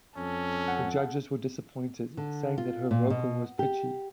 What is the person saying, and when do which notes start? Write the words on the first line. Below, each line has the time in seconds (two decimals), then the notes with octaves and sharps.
The judges were disappointed, saying that her vocal was pitchy.
0.17 F2 C#4 A4
0.68 F#5
2.17 D3
2.58 F4
2.91 A#2
3.10 B2
3.59 G4